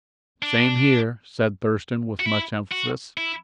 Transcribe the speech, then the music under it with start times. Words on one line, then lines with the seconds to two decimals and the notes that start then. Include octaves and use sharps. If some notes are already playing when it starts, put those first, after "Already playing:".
"Same here," said Thurston with much emphasis.
0.43 D4
2.20 F#4
2.26 E4
2.71 F#4
3.17 E4